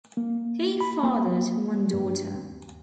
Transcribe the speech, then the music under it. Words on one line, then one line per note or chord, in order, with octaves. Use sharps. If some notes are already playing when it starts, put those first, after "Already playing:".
He fathered one daughter.
A#3
B5
A#3
G2
D#2